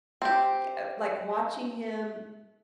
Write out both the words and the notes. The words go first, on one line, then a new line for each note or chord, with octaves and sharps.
y uh, like watching him,
C4 G4